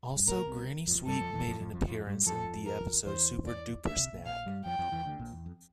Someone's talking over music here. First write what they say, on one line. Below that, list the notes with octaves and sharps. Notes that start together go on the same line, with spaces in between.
Also, Granny Sweet made an appearance in the episode Super Duper Snag.
G2
A2 A#4
A#2
C2 C3
F2 F3
G2 G3 A4
F2 F3
E2 E3
F2 F3
F2 F3
F2 F3
F2 F3
G2 G3
F2 F3 A4
A#4
E2 E3 C5
D5
D2 D3 E5
C2 C3
A#1 A#2
A#1 A#2 F5
G2 G3
F2 F3 G5
F2 F3
E2 E3
D2 D3
A#1 A#2
E2
F2